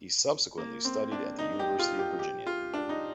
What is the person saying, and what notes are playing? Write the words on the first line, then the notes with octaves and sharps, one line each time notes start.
He subsequently studied at the University of Virginia.
A#3
C4
D4
D#4
G4
F4
G4
G4
F4
D4
D#4